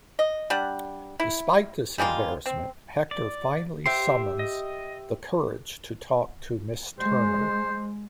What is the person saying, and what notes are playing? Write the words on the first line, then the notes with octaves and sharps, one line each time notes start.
Despite this embarrassment, Hector finally summons the courage to talk to Miss Turner.
D#5
G3 D4 F#5
E4
G3 G#3 A#3 F4
C4
D5
G4 C5 E5 C6
D#5
G#3 C5